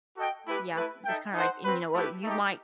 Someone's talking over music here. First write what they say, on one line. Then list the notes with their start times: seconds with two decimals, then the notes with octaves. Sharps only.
Yeah, just kinda like and you know what? You might
0.17 F#4 A4 D#5 G5
0.46 A3 E4 G4 B4
0.75 A3 E4 B4
1.05 D#4 A4 E5 G5
1.34 D#4 A4 C5 F#5
1.64 C4 F#4 B4
1.94 A3 E4 G4 B4
2.23 A3 D#4 G4